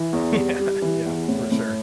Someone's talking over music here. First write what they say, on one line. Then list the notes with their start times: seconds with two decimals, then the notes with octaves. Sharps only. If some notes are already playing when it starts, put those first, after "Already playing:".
Yeah. Yeah. For sure.
Already playing: E3
0.13 E2
0.37 G3
0.59 G3
0.82 E3
1.06 E2
1.28 A2
1.52 A2